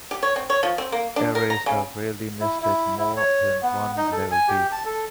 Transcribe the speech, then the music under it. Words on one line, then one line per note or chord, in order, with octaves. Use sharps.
Arrays are rarely nested more than one level deep.
G4
C#5
C4
C#5
F3
C4
A#3
D4
A#4
A#5
C#3
E4
E4
E4
C#5
B3
D#4
A4
G#5
G4
A5
A4